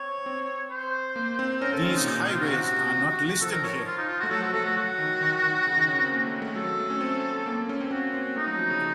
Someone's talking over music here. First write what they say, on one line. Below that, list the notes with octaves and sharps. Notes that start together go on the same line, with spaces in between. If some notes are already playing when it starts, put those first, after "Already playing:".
These highways are not listed here.
Already playing: C4 C#5
C4
C5
A#3
C4
C#4 A#4
C4 A4
D#3 F4
C3 D#4
A#2 D#4
D#4
C3 F4
F#4
D#3 F#4
F3 A4
A#4
C#5
F4
D#4
F4
A3 F#4
F#3 A4
F#4
A3 A4
F#4
F#3 F#4
D#3
D#3
D#3
C#3
D#3
C#4
C4
A#3
A3
A3
F#3 A4
A3
C#4
C4
A#3
C#4
C4
C4 F#4
C4
A3 D#4
F#3
F3
C#3